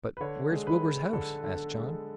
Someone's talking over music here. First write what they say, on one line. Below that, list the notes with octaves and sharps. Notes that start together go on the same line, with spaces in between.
"But where's Wilbur's house?" asked John.
B4
D3 C#5
G#3
B4
G#3
D3 A4
D3
G#3